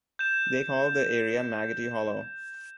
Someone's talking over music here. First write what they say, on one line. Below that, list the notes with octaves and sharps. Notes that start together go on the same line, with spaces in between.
They called the area Maggotty Hollow.
G6 E7